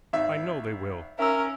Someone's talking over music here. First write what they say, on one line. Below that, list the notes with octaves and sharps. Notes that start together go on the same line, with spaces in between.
I know they will!'
G#1 E5
C#4 A#4 E5 E6